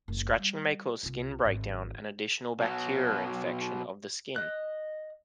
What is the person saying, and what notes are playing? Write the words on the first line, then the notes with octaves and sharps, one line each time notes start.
Scratching may cause skin breakdown and an additional bacterial infection of the skin.
F#1 C#2
G3
C2 F4
G#1
B2 F#3
D#5 F#6